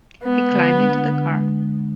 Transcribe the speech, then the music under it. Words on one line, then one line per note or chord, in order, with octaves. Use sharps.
He climbed into the car.
G#3 B3
D3
D4
D3
G#3